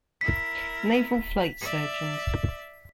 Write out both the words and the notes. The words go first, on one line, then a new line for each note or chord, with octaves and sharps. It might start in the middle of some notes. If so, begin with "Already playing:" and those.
Naval Flight Surgeons.
E4 A#4 B6
D5 E5